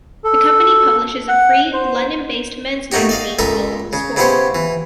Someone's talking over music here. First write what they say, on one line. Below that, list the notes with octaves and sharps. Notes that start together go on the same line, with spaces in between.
The company publishes a free, London-based men's magazine called "Sport".
A4
F#5
C5
A3 A#3 D#4 F#4 G4
D5 D#5 F5
C#2 A4 A#4 E5 D#6
C#3
C#3 B3 E4 G4 C5 C#5
E3